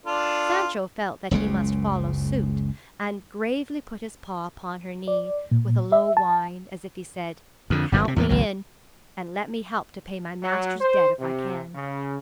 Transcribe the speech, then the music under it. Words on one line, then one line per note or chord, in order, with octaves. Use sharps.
Sancho felt that he must follow suit; and gravely put his paw upon her knee, with a low whine, as if he said, "Count me in, and let me help to pay my master's debt if I can."
D4 F4 A4
F#1 C#2 C#3 G#3
D5
A#2
E5
A5
F2 D3
G1 F#2 A#2
G2 C3
E2 A2 C3 E3
G#1 C#2 F#3
F#3
C5
C3
C#3